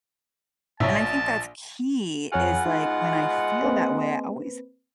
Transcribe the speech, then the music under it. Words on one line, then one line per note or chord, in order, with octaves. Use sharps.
And I think that's key is, like, when I feel that way, I always
A#1 G#2 C3 C#5 E5 A5 A#5
F2 B2 F4 G#4 C#5 F#5 F6
G#3 D#4
A#3 C4 B4